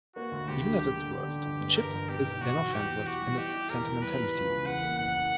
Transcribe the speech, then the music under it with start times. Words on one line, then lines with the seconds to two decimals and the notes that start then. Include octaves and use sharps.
Even at its worst, "Chips" is inoffensive in its sentimentality.
0.16 A#3 F#4
0.32 D2
0.48 D2 G4
0.64 D3
0.80 G3 G4
0.97 D3
1.13 D3 G4
1.28 D3
1.45 G1
1.61 G2
1.76 G1 A#4
1.93 G1
2.09 B2 G4
2.25 B1
2.41 B1 F#4
2.57 F#3
2.73 E2 G4
2.90 B2
3.06 E2 F#4
3.22 G3
3.38 E4 G4
3.54 E4
3.70 E2 A#4
3.86 E2
4.02 G3 B4
4.18 E3
4.35 C#2
4.50 C#3
4.66 E2 F#5
4.82 A#3
4.98 F#1 F#5